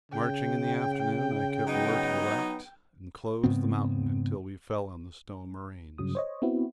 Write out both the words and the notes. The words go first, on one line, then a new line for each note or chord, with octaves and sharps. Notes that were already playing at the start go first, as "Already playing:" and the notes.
Marching in the afternoon, I kept more to the left, and closed the mountain till we fell on the stone moraines.
C#3 G5
F#3 B3 D#4
G#2 C#3 B3 C4
G2 C#3 F#3 D#6
C5 C#5 D#5
B3 C4 E4 F#4